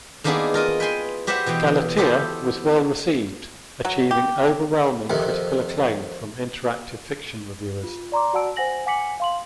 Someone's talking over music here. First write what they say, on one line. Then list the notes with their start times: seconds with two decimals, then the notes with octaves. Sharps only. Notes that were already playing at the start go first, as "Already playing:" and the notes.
"Galatea" was well received, achieving overwhelming critical acclaim from interactive fiction reviewers.
0.24 D#3 A#3 B3 D4 E4 G#4
0.54 F4 A#4 D#5
0.80 B4 G5 G#5 C6
1.27 F#4 G4 B4 C5 E5 F#5
1.46 B2 E3 G4 G5
1.97 B3 G4 A4 C5 F#5
3.85 F#3
4.11 G4
5.10 F2 C3 D#3
7.84 F4
8.12 D5 A#5 C6 D6
8.33 F#4 D5 F#5 A5 E6 D7
8.56 C5 F#5 G#5 A#6 F#7
8.86 F#5 G#5 D6 B6 C#7 F#7
9.20 F5 C6 F#7